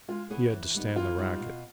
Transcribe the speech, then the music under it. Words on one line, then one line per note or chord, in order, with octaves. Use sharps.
He had to stand the racket.
G#3 F4
B3 E4 G#4 C#5
E3
G3 B3 D#4
E3 F4
G3 B3 D#4
B2